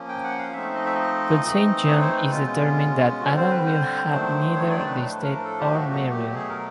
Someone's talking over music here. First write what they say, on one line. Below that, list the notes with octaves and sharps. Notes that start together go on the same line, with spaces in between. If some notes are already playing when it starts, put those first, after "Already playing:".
But Saint John is determined that Adam will have neither the estate or Meriel.
Already playing: F3 A#3 C#4
G5
F#5
F5
F3 A3 C4 D#4 E5
D#5
E5
D#5
E3 A3 C4 D#4
C#5
C5
B4
B2 G#3 C#4 F4
D3 G3 C4 F#4
C5
B4
C5
D#3 F#3 A3 D4
C#5
D5
C5
B4
A2 F3 A3 D4 B4
A#4
A4
G4
F#4
B2 F#3 A3 F#4
G4
G#4
A#4